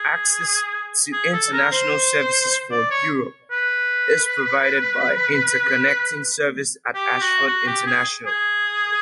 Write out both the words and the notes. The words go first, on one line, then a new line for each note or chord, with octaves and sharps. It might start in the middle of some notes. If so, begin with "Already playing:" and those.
Access to international services for Europe is provided by interconnecting service at Ashford International.
Already playing: G#4
G#4
A4
A#4
C5
D5
C#5
B4
G4
F#4
F#4
G4
G#4
G#4